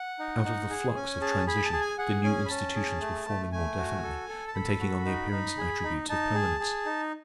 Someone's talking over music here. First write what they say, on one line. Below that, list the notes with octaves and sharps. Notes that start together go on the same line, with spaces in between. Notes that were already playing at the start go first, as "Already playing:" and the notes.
Out of the flux of transition the new institutions were forming more definitely and taking on the appearance and attributes of permanence.
Already playing: F#5
D#4
D#4
G#4
C#4 G#5
G#4 A5
G#4 B5
A5
G#4
G#5
G#4 F#5
C#4 G#5
B5
C#4 A5
G#4
A3
A3
A3 G#5
F#4
A4
A4
A5
A4 B5
F#4
D#4
D#4
G#4
D#4
D#4 A5
G#4
G#4
D#4